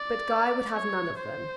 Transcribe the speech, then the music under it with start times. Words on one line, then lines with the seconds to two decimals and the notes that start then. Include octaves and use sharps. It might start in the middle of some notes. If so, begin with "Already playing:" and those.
But Guy would have none of them.
Already playing: D5
0.75 C#5
1.18 C5